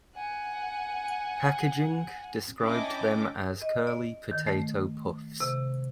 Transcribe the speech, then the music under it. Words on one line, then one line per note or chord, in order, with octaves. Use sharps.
Packaging described them as "curly potato puffs".
F#5 G#5
C#4 D4 E4 D#5 G5 D6
D#5
D5
D#3
A3
C3